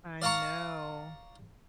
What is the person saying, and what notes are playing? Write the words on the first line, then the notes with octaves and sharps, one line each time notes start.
I know.
D5 F5 A5 A#5 C#6